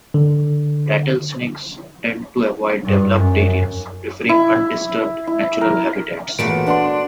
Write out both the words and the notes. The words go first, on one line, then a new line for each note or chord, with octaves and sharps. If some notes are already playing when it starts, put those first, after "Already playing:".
Rattlesnakes tend to avoid developed areas, preferring undisturbed, natural habitats.
D3
G2
F#2
E4
E4
A#4
A1 A#2 F#3 A3 B3 D7
D4 B4 F#5 C6